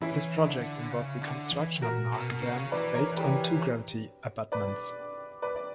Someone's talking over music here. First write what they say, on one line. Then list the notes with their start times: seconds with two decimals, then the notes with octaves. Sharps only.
This project involved the construction of an arch dam, based on two gravity abutments.
0.01 E3 C#4 E4
0.47 D3
0.92 C#3
1.22 D3
1.51 E3
1.82 A#2 F#4 A#4
2.12 B2
2.31 B2
2.42 C#3
2.72 E3 B4 D5
2.94 A#4 C#5
3.17 G4 B4
4.52 B4 D5
5.42 B4 D5
5.56 D5